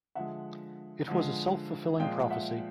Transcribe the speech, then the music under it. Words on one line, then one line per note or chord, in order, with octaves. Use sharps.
It was a self-fulfilling prophecy.
D3 F3 G#3 E5 F#5
D3 F3 G#3
A#2 F3 G#3 F5 G5
E5 F#5